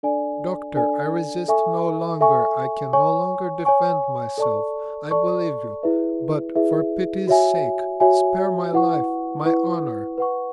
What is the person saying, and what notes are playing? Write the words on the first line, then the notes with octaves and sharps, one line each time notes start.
"Doctor, I resist no longer--I can no longer defend myself--I believe you; but, for pity's sake, spare my life, my honor!"
D4 A4 D5 G#5
D4 A4 D5 G#5
A4 E5 G#5 C#6
A4 E5 G#5 C#6
C#5 G#5 C#6
C#5 G#5 C#6
A4 D5 A5 C#6
A4 D5 A5 C#6
E4 G#4 B4 E5
E4 G#4 B4 E5
F#4 C#5 E5 G#5
F#4 C#5 E5 G#5
E4 B4 F#5 C#6
E4 B4 F#5 C#6
B4 F#5 C#6